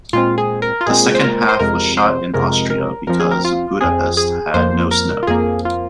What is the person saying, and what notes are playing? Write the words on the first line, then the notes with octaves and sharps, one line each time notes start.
The second half was shot in Austria because Budapest had no snow.
A#2 G#3 C4 F4
G#4
A#4
F4
A#2 G#3 C4 G#4
C5
A#4
C5
F2 C3 G#3 A#4
C5
F2 C3 G#3 A#4
A#4
F2 F3 C4 A#4
G#4
A#4
F4
F2 F3 C4 G#4
G#4
F2 F3 A#3 C5
A#4
F4
F2 F3 A#3 G#4
F4